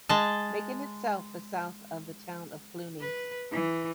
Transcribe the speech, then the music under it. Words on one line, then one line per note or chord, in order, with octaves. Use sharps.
Macon itself is south of the town of Cluny.
G#3 A5
B4
E3